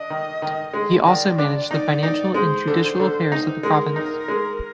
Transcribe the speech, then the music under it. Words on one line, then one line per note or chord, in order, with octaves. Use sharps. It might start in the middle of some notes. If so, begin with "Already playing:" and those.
He also managed the financial and judicial affairs of the province.
Already playing: D4 D#5
D#3
D#3
G#3
D#3 D5
D4
D#4 D5
D#4
G#3 C5
D3
D3
D#4
G#3 A#4
D#4
G#3